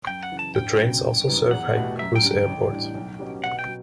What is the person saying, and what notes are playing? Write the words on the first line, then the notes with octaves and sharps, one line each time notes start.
The trains also serve Haikou's Airport.
F#2 G5
F#5
C#3 E3
A5
D2 G5
C#3 F#3
G1
F#2 E3 G3 B3
E2 F#5
B2 A3 E4 G4
F#2 E5
G5
D3 G3 D4
G5
A1
A2 G3 D4
B1
B2 F#3 C#4 G4
B2 F#5
G5
F#3